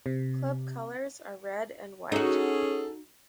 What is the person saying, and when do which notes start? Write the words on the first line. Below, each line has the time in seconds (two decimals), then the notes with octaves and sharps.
Club colors are red and white.
0.06 C3
2.12 C#4 D#4 F#4 G#4 A4